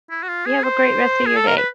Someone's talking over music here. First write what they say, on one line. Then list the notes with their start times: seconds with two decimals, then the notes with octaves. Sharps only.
you have a great rest of your day.
0.10 E4
0.23 F#4
0.28 F4
0.46 G#4
0.63 C5
1.26 G#4
1.36 A4
1.46 A#4
1.57 B4